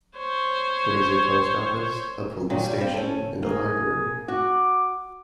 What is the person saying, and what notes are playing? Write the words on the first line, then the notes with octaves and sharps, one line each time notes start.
There is a post office, a police station and a library.
C5 C#5
A#2 D#3 F#3
G3
G2 C4
C#4 A4
A#3 G#4
F#4 D6